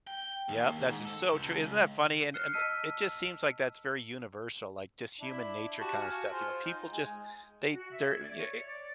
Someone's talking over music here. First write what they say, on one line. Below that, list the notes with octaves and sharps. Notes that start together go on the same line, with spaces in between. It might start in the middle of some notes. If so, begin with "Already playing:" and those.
Yep, that's s so true, isn't that funny, and and it just seems like that's very universal, like, just human nature kinda stuff, you know? People just they they're y
G5
D#2
G#2
A4
C#2
F6 F#6 C7 C#7 G7
D#5 A5 E6 F6 B6 D#7
D4 E4
F#4 G4 A5
F#4 F5 G#5
F4 G#4 C5
D#4 G5
G#3 G#5
F#4
E5
G#6
D5
C#5
D5